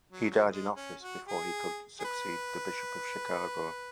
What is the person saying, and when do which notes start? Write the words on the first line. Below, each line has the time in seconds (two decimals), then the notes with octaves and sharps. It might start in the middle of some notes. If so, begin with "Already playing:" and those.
He died in office before he could succeed the Bishop of Chicago.
0.12 F#3
0.31 F#3
0.50 G#3
0.76 C#4
1.02 F#4
1.28 G#4
2.00 G#4
2.05 B4